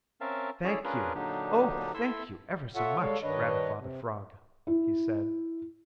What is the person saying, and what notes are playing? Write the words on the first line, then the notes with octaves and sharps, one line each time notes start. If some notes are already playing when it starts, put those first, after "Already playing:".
"Thank you, oh, thank you ever so much, Grandfather Frog," he said.
C4 C#4 A#4 E5 F5 A5
C#4 E4 G#4 A4 C#5 D5
C#4 D4 F4 G#4 A#4 B4
A#2 D3 F#3 D4 D#4 G4
E4 A4 E5 C6 E6
F4 A4 C#5 E5 F#5
G3 G#3 A4 C#5 F5
G2 D#3 D4 B4 C#5 D#5
C3
E4